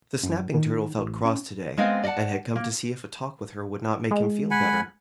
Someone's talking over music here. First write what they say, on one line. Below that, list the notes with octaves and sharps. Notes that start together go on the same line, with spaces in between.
The Snapping Turtle felt cross to-day, and had come to see if a talk with her would not make him feel better.
F#2
D#3
A1
C#4
G#3 B3 C4 A#4 C5 F5
D5 D#5 F5 F#5 A5
A#3
G#3
F#5 G#5 B5